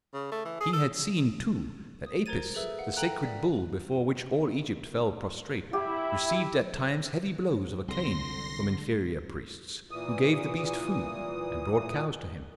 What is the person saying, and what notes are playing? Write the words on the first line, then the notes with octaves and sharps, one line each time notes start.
He had seen, too, that Apis, the sacred bull before which all Egypt fell prostrate, received at times heavy blows of a cane from inferior priests, who gave the beast food and brought cows to him.
C#3
A3
E3
G#4
A4
D#6
A#4 C5 A#5 G#6 A6 D#7
G#4 A4 B4 E5 E6
F5 F#5
A4 G5 A#5 F#6
D5 B6
E4 G4
C2 D3 C6 A#6
A#2 E3 D#6